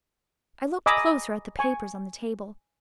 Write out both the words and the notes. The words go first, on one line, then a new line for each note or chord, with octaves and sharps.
I looked closer at the papers on the table.
D#5 G#5 A#5 B5 D6 E6
G#5 C#6